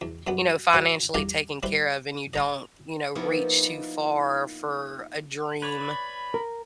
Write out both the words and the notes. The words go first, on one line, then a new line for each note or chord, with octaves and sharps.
you know, financially taken care of and you don't, you know, reach too far for a dream,
E2
F#2 F#3 G3 B3
F#4 C5 C#5 E5
E2 G2 D#4 G4 F5 A#5
G3 E4 B4 C5
D#5 A#5 C6
F3 A#3 B3 D#4 E4
B4 C#5 D5 B5
A#4